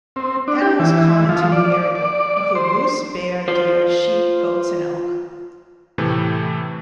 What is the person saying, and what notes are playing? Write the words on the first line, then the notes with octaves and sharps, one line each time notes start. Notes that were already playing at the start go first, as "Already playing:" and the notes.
Animals common to the area include moose, bear, deer, sheep, goats and elk.
C4
D4
G4
E3
F3
D5
D5
D5
C5
F4 C5
A2 C3 E3 A3